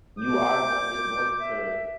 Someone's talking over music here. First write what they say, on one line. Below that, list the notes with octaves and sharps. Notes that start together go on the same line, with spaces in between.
you are goin it's going to,
D6 G6
E5